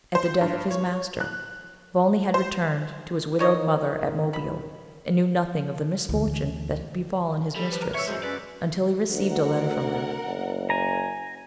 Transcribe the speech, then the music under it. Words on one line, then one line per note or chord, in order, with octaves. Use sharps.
At the death of his master, Volney had returned to his widowed mother at Mobile, and knew nothing of the misfortune that had befallen his mistress, until he received a letter from her.
C5
G2
C#5
F#6
C5
D#3 D#4 C#5 D#5
B5
D2 E3
G3 A4 B5
F3 B4
A#4
A2 C#5 E5 C#6 E6
F#2 F#3 G#3 C5
C#4 B4 D5
D2 A#4 F#5
F#1
G#5 A#5